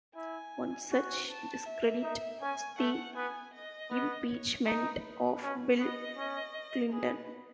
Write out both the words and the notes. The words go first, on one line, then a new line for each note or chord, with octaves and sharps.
One such discredit was the Impeachment of Bill Clinton.
E4 G#5
F#4
A5
E5
D#4
C#4 G#5
A3 F#5
B3 G#5
D#5
B3
C#5
D#4 B4
C#4
B3 D#5
C#4
G#4 B4